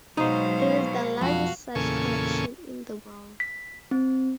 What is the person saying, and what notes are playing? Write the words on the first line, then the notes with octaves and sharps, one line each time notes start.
It is the largest such collection in the world.
B2 F#3 G#3 D#4 C5 F5
F2 F#4 F5
E2 A#2 C#3 A4 G#5 C#6
B6
C4